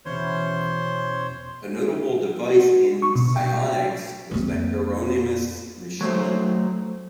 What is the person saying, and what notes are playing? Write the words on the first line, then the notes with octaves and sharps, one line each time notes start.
A notable device in psionics was the Hieronymus machine.
E2 B2 E3 C#4 C5 C#5 C6
F#4
C#6
B2
G5
F2 A#3
F#3 A3 C5